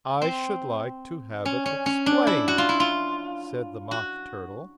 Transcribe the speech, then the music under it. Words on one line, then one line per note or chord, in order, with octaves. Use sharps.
'I should like to have it explained,' said the Mock Turtle.
C4
C#4
C#4
C#4
D4
E4
F#4
F4
E4
F4
F#4